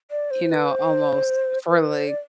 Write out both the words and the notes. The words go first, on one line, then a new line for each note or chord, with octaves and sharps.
you know, almost for, like,
D5
C5
B4
C5
B4
C5
D5